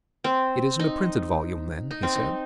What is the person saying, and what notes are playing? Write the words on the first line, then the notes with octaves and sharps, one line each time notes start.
"It isn't a printed volume, then?" he said.
C4
D#4
D#4
C4
D#4